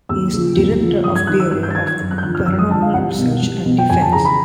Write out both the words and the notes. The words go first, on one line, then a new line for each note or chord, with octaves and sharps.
He is director of the Bureau of Paranormal Research and Defense.
D#2 E6
C#3 F3
D#2
C#3 F3
G2 D#6
G#6
D#3 F#6
E6
G2 F#6
G6
A6
D#3 G#6
G#6
F#2
F#6
G6
D3 F3 F#6
F6
F#2 E6
D#6
D3 F3 A5
F5
C2 F#5
B2
C2
B2
G5
F2 G#5
A5
C#3 E3 A#5
B5